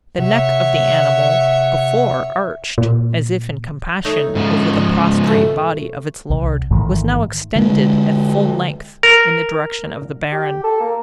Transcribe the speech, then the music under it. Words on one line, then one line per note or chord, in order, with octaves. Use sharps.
The neck of the animal, before arched, as if in compassion, over the prostrate body of its lord, was now extended, at full length, in the direction of the Baron.
C3 C#5 E5 F#5
A#2
A3 D#4 C#5
G#2 C#3 F3
D#5
B2 A3
C2
A1 G#2 D#3 A3
D3 G#3
A#4
G4
A4
A#3